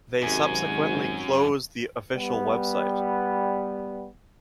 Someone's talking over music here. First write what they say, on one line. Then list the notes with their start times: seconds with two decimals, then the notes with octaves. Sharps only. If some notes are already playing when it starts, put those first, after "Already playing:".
They subsequently closed the official website.
0.22 G#1 F#2 C3 G#5
2.15 G3 B3